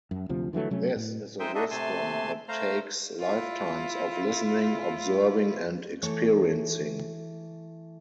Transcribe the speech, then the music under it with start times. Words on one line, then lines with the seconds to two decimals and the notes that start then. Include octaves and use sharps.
This is a wisdom that takes lifetimes of listening, observing and experiencing ...
0.11 F#2
0.29 D2 C3 F3
0.53 D3 E3 F#3 A3
0.70 C3 F#3 A3 C#4
0.96 A2
1.40 G#3 D#4 C5 D#5 E5 G5
1.55 D4 D#4 F#4 A4 D#5 E5
1.71 C3 A3 G#5 A5 C6
2.48 A3 C5 F5 A#5
3.20 E4 F4
6.02 E3 A3 A4 C#5